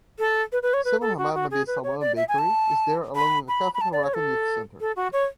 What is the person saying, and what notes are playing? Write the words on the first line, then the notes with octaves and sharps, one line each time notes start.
Sama Ahmad Nabil Salman Bakery is there along with the Kafr Zarqan Youth Center.
A4
B4
B4
C#5
B4
A4
F#4
F#4
G#4
B4
C#5
D5
E5
G#5
A5
B5
B5
B5
A5
D5
C#5
A4
A4
F#4
C#5